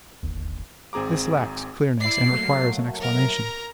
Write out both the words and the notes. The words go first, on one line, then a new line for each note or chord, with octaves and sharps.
This lacks clearness, and requires an explanation.
D1 G1 D#2
G#1 C4 G#4 A#5 D6
E4 D5 C7
F#3 A3 A#3
A#4 A#5